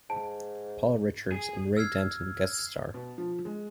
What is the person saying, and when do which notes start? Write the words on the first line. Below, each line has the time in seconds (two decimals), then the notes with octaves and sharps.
Paul Richards and Ray Danton guest star.
0.10 G#2 A5
1.32 G#4
1.77 E6 F6 G#6 C7
2.94 B2
3.18 F3
3.45 G#3